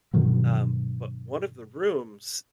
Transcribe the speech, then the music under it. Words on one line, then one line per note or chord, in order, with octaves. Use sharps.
um, but one of the rooms
G2 B2 D#3 F#3